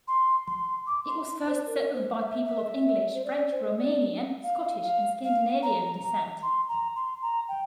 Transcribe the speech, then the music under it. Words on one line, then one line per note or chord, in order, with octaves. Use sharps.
It was first settled by people of English, French, Romanian, Scottish and Scandinavian descent.
C6
C6
D6
C6
C5
A#4
C5
E5
E5
C5
D5
C5
D5
F5
F5
F5
A#5
A#5
C6
A#5
C6
A#5
G5